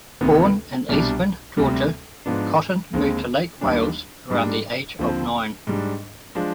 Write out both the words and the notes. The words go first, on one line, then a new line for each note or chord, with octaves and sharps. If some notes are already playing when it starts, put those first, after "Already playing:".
Born in Eastman, Georgia, Cotton moved to Lake Wales around the age of nine.
D2 C3 D#3 B3
C2 B2 G3 D4
D2 C3 G3
G#2 F3 B3 D4
D#2 D3 G#3 C4
D#2 D#3 G3 D4
G#2 G3 D4
D#2 D3 F3 C4
G#2 G3 D4
F3 G#3 D4